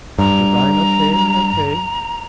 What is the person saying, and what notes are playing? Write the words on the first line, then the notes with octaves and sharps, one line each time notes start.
Divine, okay, okay.
G2 A#5